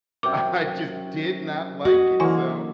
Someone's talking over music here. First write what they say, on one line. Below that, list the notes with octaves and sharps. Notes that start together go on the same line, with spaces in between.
I just did not like it, so
F#2 C3 G5 D6
F#4 C#5 D#5
D3 E3 A#3 E4 G#5